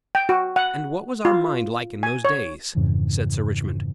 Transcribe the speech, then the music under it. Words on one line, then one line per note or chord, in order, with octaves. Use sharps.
"And what was our Mind like in those days?" said Sir Richmond.
G5
F#4
F#5
F4
G#5
C#5
F2 G#2 C#3 E3